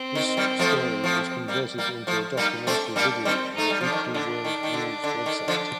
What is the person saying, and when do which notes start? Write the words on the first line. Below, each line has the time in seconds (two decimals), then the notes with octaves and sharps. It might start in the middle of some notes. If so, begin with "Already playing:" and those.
This story was converted into a "documentary" video on the Weekly World News website.
Already playing: C4
0.15 D#3
0.37 D#3 G3
0.59 F3 A3
1.04 F3 A3
1.48 G3 A#3
1.78 G3 A#3
2.07 F3 A3
2.37 G3 A#3 D#4
2.66 A3 C4 D4
2.96 G3 A#3 D4
3.25 D#3 G3 C4
3.55 A3 D#4
3.70 G3
3.81 F3 D4
3.92 D#3
4.14 D3 D4
4.45 D#3
4.63 D#3
4.73 D3
5.04 D3
5.26 D#3
5.48 D3 F3